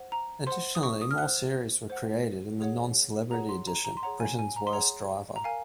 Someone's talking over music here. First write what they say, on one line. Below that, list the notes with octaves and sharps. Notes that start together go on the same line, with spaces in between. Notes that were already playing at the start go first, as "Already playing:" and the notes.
Additionally, more series were created in the non-celebrity edition, Britain's Worst Driver.
Already playing: C5 F#5
A#5
C5 F#5 C6
D#6
C#6
D#6
F6
C5 F#5 F#6
C5 F#5
G#4 C#5 F#5
G#4 C#5 F#5 A#5
C6
A#5
A#5
C6
G#4 C#5 F#5 A#5
G#5
G#5
A#5
C6
G#4 C#5 F#5 A#5
A#5
A#4 F5 G#5